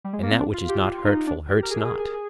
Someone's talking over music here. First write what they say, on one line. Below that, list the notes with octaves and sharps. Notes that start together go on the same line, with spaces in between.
And that which is not hurtful hurts not?
G3
G#3
A#3
C4
D4
F4
G4
F4
F4
D#4
D4
G4
A#4
G#4
G#4
G#4
G#4